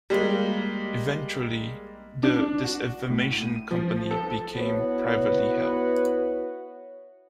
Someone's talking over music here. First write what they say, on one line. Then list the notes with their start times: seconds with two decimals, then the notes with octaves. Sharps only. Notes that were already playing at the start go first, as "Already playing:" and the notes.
Eventually, the Disinformation Company became privately held.
0.10 G3 G#3 A#3
2.23 D4
2.63 F#4
3.10 A2
3.32 D#7
3.71 F3
4.11 A4
4.57 B3 E4 F#4 B4 C#5